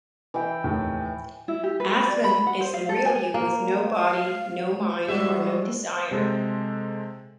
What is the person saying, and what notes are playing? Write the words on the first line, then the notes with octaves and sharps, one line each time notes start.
Athman is the 'real' you with no body, no mind or no desire.
E3 E5 G5
F1 D#2 A2
E4
G4
B4
B5
D5
B5
F#5
C5
F5
A4
G#5
A#3
F5
A2 G3 G#3 F#4 E5
C3 G#3 A4 C5